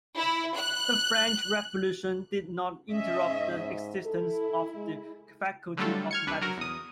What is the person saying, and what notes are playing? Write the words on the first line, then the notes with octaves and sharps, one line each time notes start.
The French Revolution did not interrupt the existence of the faculty of medicine.
E4
F#6
C#4 D#5 E5
G#2
E4 A4
G#3
D3 F#3 G3 A3 F4 A4
F6 G#6 C#7
C2 D4 B4
F#3 F#4 A#4
E2 D#6